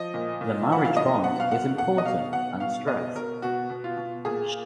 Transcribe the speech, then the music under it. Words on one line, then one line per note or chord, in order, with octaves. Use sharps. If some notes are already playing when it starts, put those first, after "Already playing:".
The marriage bond is important and stressed.
Already playing: F3 D#5
A#2
A#2
F3 F#5
F5
B2 D#5
B2 F#5
F5
B2 F#5
B2 F#5
D#5
B2 F5
B2 F#5
B2 F5
B2 D#5
B2 A#4
B2 F#4
B2
F4
B2
A#2 G#4